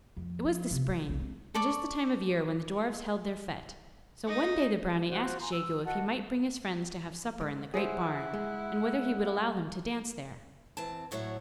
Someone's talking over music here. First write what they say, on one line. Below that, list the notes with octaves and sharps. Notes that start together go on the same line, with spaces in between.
It was the spring, and just the time of year when the dwarfs held their fete, so one day the brownie asked Jegu if he might bring his friends to have supper in the great barn, and whether he would allow them to dance there.
F2
F3
C3
D2 F#3
B1 E2
G#3 C4
A4 D5 C#6
D#4
F4 F#4 C5
G#5 A#5 C6
E6
F#4 D#5 F#5 A5
G#2
E4 G#4 C5 F#5
G#3
E3 C4 A5
D2 A2 F#3 C#5 E5 F#5